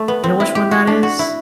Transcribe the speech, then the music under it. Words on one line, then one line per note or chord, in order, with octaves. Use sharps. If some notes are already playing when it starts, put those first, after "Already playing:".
You know which one that is?
Already playing: A3
B3
C4
E4
G4
F#4
D4
F#4
E4